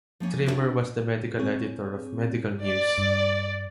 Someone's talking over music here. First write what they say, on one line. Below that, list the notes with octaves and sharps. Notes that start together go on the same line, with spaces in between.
Trimmer was the medical editor of "Medical News".
F3 A#3 C#4
D4 E4 F#4 B4 C#5 D#5
C4 G#4 C#5
D5
G2